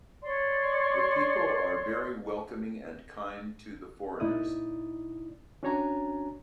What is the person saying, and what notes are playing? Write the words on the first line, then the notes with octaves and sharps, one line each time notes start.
The people are very welcoming and kind to the foreigners.
C#5 D5 C6
A#2 D#4 E4 D5 D#6
C#4 D4 F#4 C#5 G#5 A#5